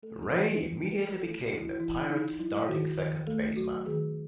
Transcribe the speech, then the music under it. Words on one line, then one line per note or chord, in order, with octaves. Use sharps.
Ray immediately became the Pirates' starting second baseman.
A3 A4
A4
E3
B4
E3 B4
C#4 B4
B4
A3 A4
F#4
E3
E4
E3 E4
C#4 D#4
F#3 E4
D#3 F#4
D#3 B4
A3 A4
F#3 F#4
D#3 G#4